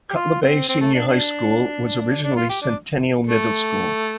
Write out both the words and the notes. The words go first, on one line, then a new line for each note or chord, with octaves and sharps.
Cutler Bay Senior High School was originally Centennial Middle School.
G4
F4
C4
C4
A3
D4
D4
D4
F4
G4
D4
A3